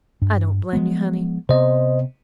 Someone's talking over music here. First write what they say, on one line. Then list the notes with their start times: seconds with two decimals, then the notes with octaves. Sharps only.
I don't blame you, honey.
0.22 G2
0.73 F3 G#3 B3
1.49 C3 B3 C5 D#5